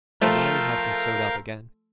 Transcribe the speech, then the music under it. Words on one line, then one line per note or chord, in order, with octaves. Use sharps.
The lining had been sewed up again.
F3 A3 A#4 F5 G5